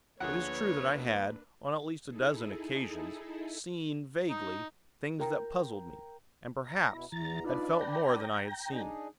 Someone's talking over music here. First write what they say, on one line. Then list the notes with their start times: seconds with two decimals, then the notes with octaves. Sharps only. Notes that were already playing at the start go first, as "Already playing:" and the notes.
It is true that I had, on at least a dozen occasions, seen, vaguely, things that puzzled me, and, perhaps, had felt more than I had seen.
0.20 D2 F3 A#3 D4 G#4 B4 C#5 F#5
2.07 D#4 E4 G#4 A4
4.30 D#4
5.20 A#4 G5 A#5
6.64 A#5
6.90 B2 E4
7.12 E2 E3 A#5 A6
7.44 D4 D#4 F4 B4 D5
7.81 G5 A#5
8.70 D4 D#4 G#4